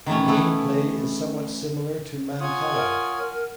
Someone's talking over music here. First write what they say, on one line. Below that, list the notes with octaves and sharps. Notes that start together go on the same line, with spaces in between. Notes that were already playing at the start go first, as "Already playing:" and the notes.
The gameplay is somewhat similar to mancala.
D#3 E3 A3 C#4
A3 B3 A4
F4 C#5 F#5 G#5 D#6
A#4